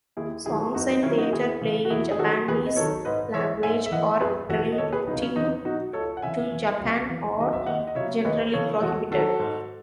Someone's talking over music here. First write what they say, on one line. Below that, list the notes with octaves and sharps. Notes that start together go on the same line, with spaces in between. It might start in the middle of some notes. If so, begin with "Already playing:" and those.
Songs and theater play in Japanese language or relating to Japan are generally prohibited.
D#2 E4 G#4
D#3 F#3 E4 G#4
G#4
F#2 D#4 F#4
B3 D#4
D#3 F#3 C#4 E4
D#4 F#4
D#2 E4 G#4
C#3 E3
F#4
E2 E4 G#4
G#4
D#3 F#3 F#4 A4
E2 G#4 B4
D#5
D#3 F#3 A4 C#5
G#2 B4 D#5
E3 C#5 E5
G#2 E5 G#5
E5
E3 D#5 F#5
F#2 G#4 B4
E3 F#4 A4
D#5
D#2 A4 C#5
G#4 B4
C#3 F#3 B3 D#4
C#4
E2 B3 D#4
B2 F#3 D#4 F#4
C#2 A4 C#5
F#5
C#3 E3 E5 G#5
E2
C#3 F#3
E2
D#3 F#3 D#5
E5
D#2 D#5 F#5
D#5
C#3 F#3 C#5 E5
C#5
D#2 B4 D#5
C#3 E3 A4 C#5
E2 F#4 A4
D#3 F#3 F#4 A4
G#2